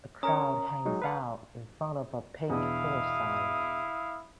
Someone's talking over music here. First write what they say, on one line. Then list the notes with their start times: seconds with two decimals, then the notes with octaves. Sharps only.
A crowd hangs out in front of a pink finish sine.
0.23 C#4 A#4 C#5 A#5 D#6
0.86 F#3 G#3 D#4
1.02 B4 F5 F#5
2.50 E2 B2 D4 E4 F5 D#6